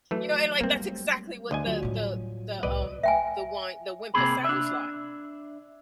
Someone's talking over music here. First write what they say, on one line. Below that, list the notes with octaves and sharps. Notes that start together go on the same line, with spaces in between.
You know? And, like, that's exactly what the the the, um, the whine the whimper sounds like.
E3 F#3 A3
G3 A3 A#3 C4 D4
D2 D#5 G#5
F#3 F4
A2 G3
C2 A2 B4 D5 D#5
E5 G5 G#5
C3 A#3 C4 G#4 B5
D4 E5